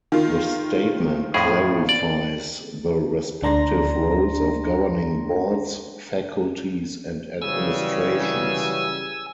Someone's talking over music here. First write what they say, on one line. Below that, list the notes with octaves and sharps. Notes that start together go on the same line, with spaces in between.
The statement clarifies the respective roles of governing boards, faculties, and administrations.
D#3 F4
F2 A2 G#4
D5
D2 D4 A#5 C6 A#6
F#2 C#3 E3 G3 G#5 E6